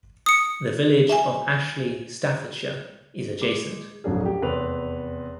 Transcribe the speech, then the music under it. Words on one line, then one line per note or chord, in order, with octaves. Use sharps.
The village of Ashley, Staffordshire is adjacent.
D#6 C#7
E5 G#5
G#3 D6
D1 A1 F2 F#3 D4 G#4
G4
F1 E2 C4 B4 C#5 F7